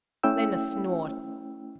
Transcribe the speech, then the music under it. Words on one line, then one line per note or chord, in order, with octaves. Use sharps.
Then a snort.
A3 C#4 E4 G5 E6